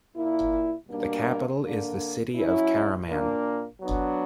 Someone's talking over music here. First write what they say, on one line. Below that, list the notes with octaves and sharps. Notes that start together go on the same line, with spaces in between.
The capital is the city of Karaman.
A#2 A#3 E4
B2 G3 A#3 D4
D3 A#3 D4
F#3 C#4 E4
A#2 A#3 D4
F#3 B3 D4